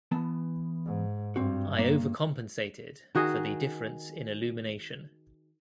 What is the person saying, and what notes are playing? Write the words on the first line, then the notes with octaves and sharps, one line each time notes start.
I overcompensated for the difference in illumination.
E3 B3 A5
G#2
G2 C4 F#4
A#3
D#3 F#4 G#4 D#5